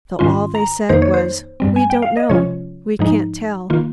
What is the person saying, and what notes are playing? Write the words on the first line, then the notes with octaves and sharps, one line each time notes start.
So all they said was, "We don't know--we can't tell."
G#2 D#3 G#3 C#4 F4 C6
A#5
F2 D#3 A#3 D#4 C5
C#5
C5
G2 G3 C4
G#5
G5
F5
D#5
C3 F3 G#3 C#4 F4 C#5
G#2 F3 G#3 D#4
D#3 A#3 F4